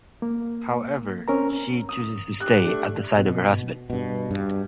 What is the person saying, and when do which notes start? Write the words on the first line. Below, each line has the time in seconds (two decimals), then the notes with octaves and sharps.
However, she chooses to stay at the side of her husband.
0.22 A#3
1.28 C4 C#4 A#4 A#5
1.89 D#6
2.40 G4 F#6
2.65 A3 D4
3.16 B2
3.90 G2 B2
4.31 G2